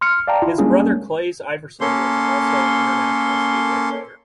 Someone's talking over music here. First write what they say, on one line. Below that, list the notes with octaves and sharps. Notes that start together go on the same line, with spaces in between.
His brother Claes Ivarsson was also an international speedway rider.
C6 F6 C#7
D5 F5 G5 A5 A#5
E4 F4
G3 G#3 A#3 C#4 D4 G#4
A#3 C#4 A4 C6